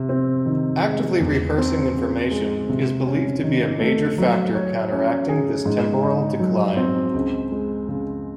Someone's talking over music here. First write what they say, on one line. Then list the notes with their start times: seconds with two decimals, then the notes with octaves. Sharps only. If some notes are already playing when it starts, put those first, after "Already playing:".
Actively rehearsing information is believed to be a major factor counteracting this temporal decline.
Already playing: C3
0.09 C4
0.46 D#3
0.83 G#3
1.20 E2
1.58 C4
1.94 C#3
2.31 G#3
2.69 C3
3.07 C#4
3.44 D#3
3.80 A3
4.18 F#3
4.55 C#5
4.92 C#4
5.29 G#4
5.66 G#2
6.03 D#4
6.40 F#3
6.77 C4
7.15 C#2
7.52 G#3
7.88 C#3